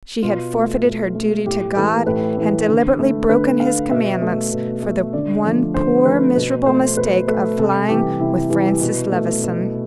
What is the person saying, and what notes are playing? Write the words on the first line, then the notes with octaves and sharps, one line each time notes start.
She had forfeited her duty to God, had deliberately broken his commandments, for the one poor miserable mistake of flying with Francis Levison.
B2 F4
A3
B2
A3
A2 G4
E3 A3 A4
A2 B4
E3 A3
D3
A3
D3 B4
A3 F5
B2 E5
A3
B2
A3
D3 D5
F3 A3
D3 C5
F3 A3 B4
B2 B4
A3 C5
B2 B4
A3 B4
C3 A4
E3 G3 G4
C3 E4
E3 G3
B2
A3
B2